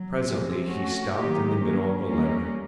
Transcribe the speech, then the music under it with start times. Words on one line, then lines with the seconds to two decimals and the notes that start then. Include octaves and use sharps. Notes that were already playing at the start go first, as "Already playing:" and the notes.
Presently he stopped in the middle of a letter.
Already playing: F#3
0.24 C3 F3 G#3
0.70 A3 C#4 F#4
1.15 D#3 F#3 A#3 D#4 G4
1.60 F#3 A#3 C#4
2.04 G3 A#3 C#4